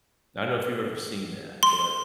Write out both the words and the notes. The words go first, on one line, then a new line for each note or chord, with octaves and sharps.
I don't know if you've ever seen that, but
C6